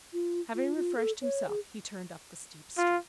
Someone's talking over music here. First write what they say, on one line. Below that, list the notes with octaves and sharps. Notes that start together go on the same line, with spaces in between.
Having refreshed himself he turned up the steep street.
F4
F4
F4
A4
C#5
G#4
F4